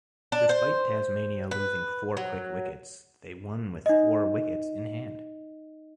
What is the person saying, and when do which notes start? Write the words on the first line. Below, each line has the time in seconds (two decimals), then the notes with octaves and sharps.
Despite Tasmania losing four quick wickets, they won with four wickets in hand.
0.32 D4
0.49 C5
1.51 B4
2.17 F#3
3.86 D#4 D#5